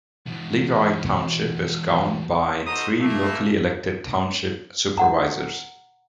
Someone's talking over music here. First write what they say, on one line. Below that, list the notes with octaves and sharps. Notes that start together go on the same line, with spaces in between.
Leroy Township is governed by three locally elected Township Supervisors.
E2 B2
D#4 F#4 A4 C5 A#5 D#6
A3 A#3
F#5 A#5